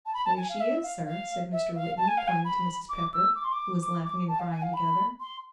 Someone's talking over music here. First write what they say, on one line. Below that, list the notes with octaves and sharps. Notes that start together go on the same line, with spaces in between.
"There she is, sir," said Mr. Whitney, pointing to Mrs. Pepper, who was laughing and crying together.
A5
B5
A5
G#5
F5
E5
F5
F5
E5
F5
A5
G#5
F5
G#5
B5
D6
E6
D6
C6
D6
D6
D6
A5
F5
G#5
F5
B5
C6